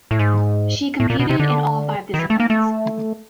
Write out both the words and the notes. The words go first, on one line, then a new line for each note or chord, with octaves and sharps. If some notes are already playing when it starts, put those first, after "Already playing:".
She competed in all five disciplines.
A2
G#2
A2
A#2
B2
C3
D3
D#3
E3
A3
A#3
A3